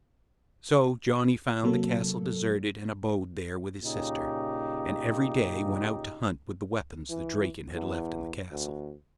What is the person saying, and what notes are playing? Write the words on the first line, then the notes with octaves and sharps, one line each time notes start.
So Janni found the castle deserted, and abode there with his sister, and every day went out to hunt with the weapons the Draken had left in the castle.
C3 F#3 A#3 A4
A#2 C#3 C#4 D#4 G4
E3
E2
D2